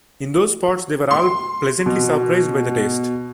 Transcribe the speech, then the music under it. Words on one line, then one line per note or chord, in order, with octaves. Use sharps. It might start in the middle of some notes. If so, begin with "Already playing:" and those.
In those spots, they were all pleasantly surprised by the taste.
C6
B2